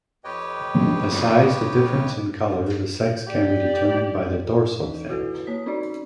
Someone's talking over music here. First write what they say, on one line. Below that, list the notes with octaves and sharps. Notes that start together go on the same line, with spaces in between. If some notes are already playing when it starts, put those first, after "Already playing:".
Besides the difference in color, the sex can be determined by the dorsal fin.
F2 G4 B4 C#5 D#5 G5
G4 D5
E3 D#4
E4 F#4 A4 B4
A#3 C#5 D#6 B6
C4 C#4 D#4 F#4 D5